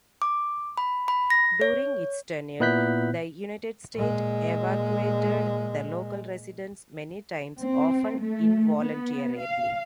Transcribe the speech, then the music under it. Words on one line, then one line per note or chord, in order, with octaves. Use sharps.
During its tenure, the United States evacuated the local residents many times, often involuntarily.
D6
B5
B5
A#6
C#5
A#2 B3 E4 F#6 G6 B6
A#2 G#3
C4
A3
B3
F5